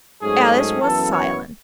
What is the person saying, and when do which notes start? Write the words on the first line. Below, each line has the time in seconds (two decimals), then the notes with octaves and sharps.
Alice was silent.
0.22 G#2 F#3 A3 C#4 G#4
0.53 G#4
0.81 F#2 E3 B3 A4
1.11 C#5